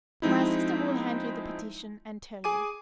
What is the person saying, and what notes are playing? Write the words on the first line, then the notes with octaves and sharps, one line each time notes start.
"My assistant will hand you the petition and tell you."
F3 G#3 C4 D#4 E4
G#4 G#5 D6 D#7